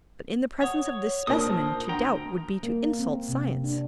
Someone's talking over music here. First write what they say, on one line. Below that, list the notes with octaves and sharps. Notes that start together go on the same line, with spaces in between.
But in the presence of this specimen to doubt would be to insult science.
C#5 F#5 D#6
A#2 A#3 D4 D#4 A#4 C5 A5 D#6
D2 G5 A#5
A#3
C4
C3
D4